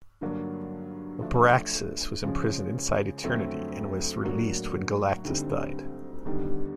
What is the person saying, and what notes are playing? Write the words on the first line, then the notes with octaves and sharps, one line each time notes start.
Abraxas was imprisoned inside Eternity and was released when Galactus died.
G2 D3 F#3 A#3 D4
F3 A3 D4
C#3 F3 G#3 C#4
F2 D3 F#3 A3 C4
A2 F#3 A#3 D4 F#4
D2 D3 G3 C4 D#4
D#2 D3 G3 B3 D#4